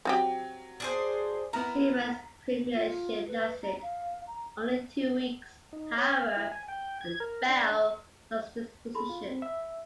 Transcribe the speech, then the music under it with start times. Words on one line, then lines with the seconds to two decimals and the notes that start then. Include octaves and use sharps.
Sewell's premiership lasted only two weeks, however, and Bell lost his position.
0.05 F#3 C4 F#4 G4
0.80 D4 G#4 C5
1.53 B3 E4 A#4 A#5
2.75 F4
3.28 B4
3.63 A#5
3.83 F5
4.27 A#5
5.73 D#4
5.98 C#5
6.21 F5
6.37 E4
6.51 G#5
6.68 G5
7.01 G#6
7.20 A#4
7.49 D4
8.95 E4 G#4 A4 B5 C6
9.09 F4
9.27 C4
9.42 E5